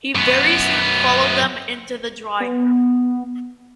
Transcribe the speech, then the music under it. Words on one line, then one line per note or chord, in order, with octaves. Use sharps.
He very soon followed them into the drawing-room.
F#2 B3
B3